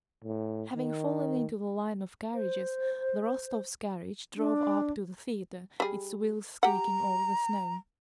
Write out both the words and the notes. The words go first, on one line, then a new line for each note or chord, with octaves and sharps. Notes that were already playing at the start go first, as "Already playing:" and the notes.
Having fallen into the line of carriages, the Rostovs' carriage drove up to the theater, its wheels squeaking over the snow.
A2
D#3
C5
D4
G3 G#4
G4 F#5 A#5